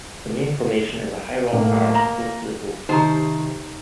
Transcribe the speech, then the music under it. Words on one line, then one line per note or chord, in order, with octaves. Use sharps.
The main formation is a high rock arch close to the coast.
A2 A#3
A#5
C3 D#3 D#4 G4 C5 A#5